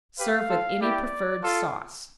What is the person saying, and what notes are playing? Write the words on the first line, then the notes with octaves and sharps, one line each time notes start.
Serve with any preferred sauce.
G4 B4 F5
F4 A4
E4 G4 D5
F4 A4